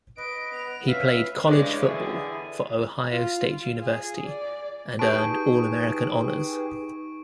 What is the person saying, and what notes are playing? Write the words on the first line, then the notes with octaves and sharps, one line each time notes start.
He played college football for Ohio State University, and earned All-American honors.
B4 D#5 D7
B3 F7
C#4 B4 E5 F5
E2 G2 C#3 G#3 D4 C#5
D3 E3 G3 B3 E4 G#4
F4
F4
G#4
D5
D#4 G4 G#4 B4 A5 C#6 G6 D7